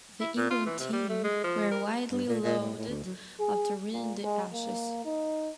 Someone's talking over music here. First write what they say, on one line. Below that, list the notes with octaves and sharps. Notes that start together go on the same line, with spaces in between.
The England team were widely lauded after winning the Ashes.
E4
A#2
F4
E3
C3
G3
A3
G#3
F3
A#4
G2
A#2
A#2
A2
A2
D2
F#3
G#4
A#2
G#3
A#3
D#4